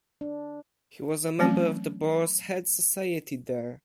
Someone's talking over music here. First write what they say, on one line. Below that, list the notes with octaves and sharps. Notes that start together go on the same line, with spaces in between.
He was a member of the Boar's Head Society there.
D4
E3 F#3 A3 C4 C#4